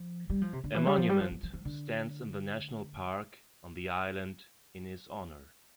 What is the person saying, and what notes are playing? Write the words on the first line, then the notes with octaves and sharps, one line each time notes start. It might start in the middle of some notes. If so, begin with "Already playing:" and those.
A monument stands in the national park on the island in his honour.
Already playing: F3
G3
F3
C3
D3
E3
G3
F3
G3
F3
F3
F3
F3
D3